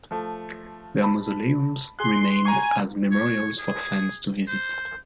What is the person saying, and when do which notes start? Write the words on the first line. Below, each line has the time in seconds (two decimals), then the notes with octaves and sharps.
Their mausoleums remain as memorials for fans to visit.
0.11 F3 A3
1.02 A5 B5
1.99 G#4 C6 F#6
2.45 G#5 A#5 C#6
3.11 C#5
3.58 G#4
4.48 C5